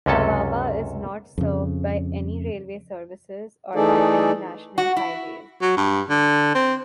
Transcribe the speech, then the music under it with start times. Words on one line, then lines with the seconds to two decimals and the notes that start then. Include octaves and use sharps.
Kawaba is not served by any railway services or by any national highways.
0.06 C#2 F#2 C3 C#4 A4 A5
1.38 F2 C#3
3.75 E3 A3 D#4 G#4 A4 D5
4.78 F#4
4.96 E4
5.62 F#3
5.77 G2
6.09 D3
6.55 C4